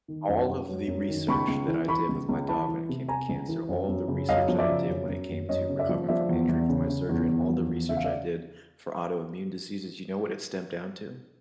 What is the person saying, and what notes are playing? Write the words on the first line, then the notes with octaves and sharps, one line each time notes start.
All of the research that I did with my dog when it came to cancer, all the research that I did when it came to recovering from injury from my surgery, and all the research I did for autoimmune diseases, you know what it stemmed down to?
D#3
F#2
F#2
F#3
F#2
D#3
C#2 B5 C#6
C#2
E3
E3 B5 C#6
C#2
C#2
E3 A5 B5
E3
C3
C3 G#5 A#5
C#2
E3
F#2
F#2
C#3
F#2 D#5 F5
F3
D5 E5
C#3
F#2
F#2
F#2
F#2 C#5 D#5
C#3
D5 E5
F3
F3 D5 E5
E2
E2
C#3
C#3
E2
E2
F3
E2
C#3 E5
F5
D5 E5